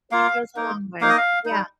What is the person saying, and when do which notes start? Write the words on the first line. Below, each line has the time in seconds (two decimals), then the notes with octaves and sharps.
it goes a long way, yeah.
0.11 A#3 F4 F5
0.56 A#3 D#4
1.01 A#3 D#4 F5
1.09 D#5
1.17 F5
1.46 G3 D#4